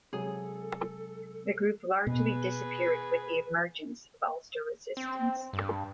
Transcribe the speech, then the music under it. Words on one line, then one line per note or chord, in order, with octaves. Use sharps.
The group largely disappeared with the emergence of Ulster Resistance.
C3 F#3 G#3 G#4 A4
B2 G#4 B4
C4
G2